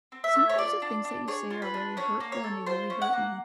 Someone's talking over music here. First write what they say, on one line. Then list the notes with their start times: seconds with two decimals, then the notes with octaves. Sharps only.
"Sometimes the things that you say are really hurtful, and they really hurt me."
0.12 C4
0.24 E5
0.35 A3
0.49 C#5
0.58 F4 D5
0.82 D4
1.05 D4
1.28 G#4 C#5
1.50 F4
1.62 B4
1.74 D4
1.97 C#4 C#5
2.20 A#3
2.32 C#5
2.44 A4
2.66 F4 C5
2.90 C#4
3.02 F#5
3.13 A#3